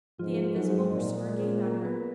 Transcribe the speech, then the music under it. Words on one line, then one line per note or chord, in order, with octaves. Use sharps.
The invisible pursuer gained on her.
G#2 F3 F4
G#2 F#3 F#4
A#2
G#3 G#4
A#3 A#4
B3 B4